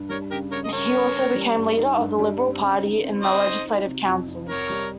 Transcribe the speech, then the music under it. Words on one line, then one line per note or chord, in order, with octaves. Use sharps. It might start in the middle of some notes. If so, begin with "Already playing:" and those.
He also became leader of the Liberal Party in the Legislative Council.
Already playing: G2
G3 A#4 C#5
C#3 G4 A#4
C#3 A#4 C#5
D#5
C#3 A#4 C#5
C#4
C#4
G3
G2
D#4
G2
G3
C4
C#3
D#4
C4
C4 C5 D#5
D#4
D#4
C3
F2
F2
C3 A#4 C#5
G3